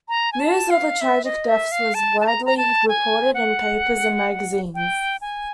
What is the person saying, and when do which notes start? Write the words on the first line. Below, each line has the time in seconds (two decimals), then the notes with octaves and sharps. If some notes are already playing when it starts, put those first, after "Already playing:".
News of the tragic deaths was widely reported in papers and magazines.
0.09 A#5
0.32 G#5
0.40 A5
0.70 F5
1.01 E5
1.25 D#5
1.49 E5
1.72 F5
1.94 A5
2.21 A5
2.27 A#5
2.46 A#5
2.57 A5
2.89 G#5
3.34 F#5
4.75 G5
5.21 G#5